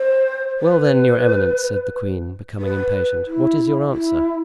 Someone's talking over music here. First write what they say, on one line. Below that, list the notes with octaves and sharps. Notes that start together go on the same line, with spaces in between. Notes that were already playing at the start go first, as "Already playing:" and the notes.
"Well then, your eminence," said the queen, becoming impatient, "what is your answer?"
Already playing: C5
B4
B4
E4
E4